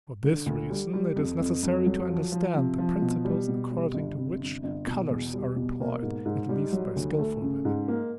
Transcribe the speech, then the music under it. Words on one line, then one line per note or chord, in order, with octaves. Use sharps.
For this reason, it is necessary to understand the principles according to which colors are employed at least by skilful women.
D3
D2
G3
G3
F2
F2
F2
F#3
F3
F3
C3
F3
B2
G3
B2
G3
G1
C3
G1
G1
B2
E2
G3
B2
A#3
G#2
G#2
G3
F#3
D2
A3
C#3
G#2
A#3